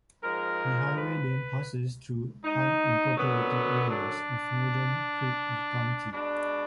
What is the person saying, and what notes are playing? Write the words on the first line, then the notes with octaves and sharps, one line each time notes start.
The highway then passes through unincorporated areas of northeast Creek County.
G#2 F3 G#3 A#4
B4
D#4
F#2 D3 F#3 B3
D4
B2 G#3 D4